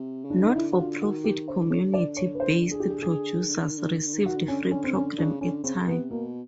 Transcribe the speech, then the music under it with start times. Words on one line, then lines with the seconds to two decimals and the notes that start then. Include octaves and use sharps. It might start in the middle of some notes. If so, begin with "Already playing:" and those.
Not-for-profit community based producers received free program airtime.
Already playing: C3
0.25 C#3
0.30 D4
0.42 D#4
0.55 D3 E4
0.72 F#4
0.78 F4
1.02 D#3 F#4
1.24 G4
1.48 D3 C5
1.70 C#5
1.94 D5
2.17 C#5
2.35 B4
2.40 C5
2.71 G#4
2.80 G4
2.90 G#4
3.02 G#4
3.33 D3
3.40 D#3
3.48 D3
3.55 D#3
3.62 D3
3.70 D#3
3.77 D3
3.84 D#3
3.92 D3
3.99 D#3
4.06 D3
4.13 D#3
4.21 D3
4.26 D#3 F#4
4.36 D3
4.43 D#3
4.48 D3 C#4
4.71 C#4
4.84 C4
4.95 C#4
5.18 C#3 D4
5.41 D3 C#4
5.64 C#3 C4
5.87 C3 B3
6.10 B2 A#3